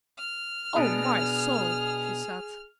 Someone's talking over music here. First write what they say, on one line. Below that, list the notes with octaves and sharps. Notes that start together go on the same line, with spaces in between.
"O! my soul!" she said.
F6
B2 B3 D4 G#4